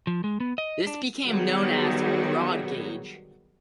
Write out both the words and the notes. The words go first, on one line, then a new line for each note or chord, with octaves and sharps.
This became known as "broad gauge".
F3
G#3
B3
D#5
D4
D#3 F#3 G3 B3 F#4 G#4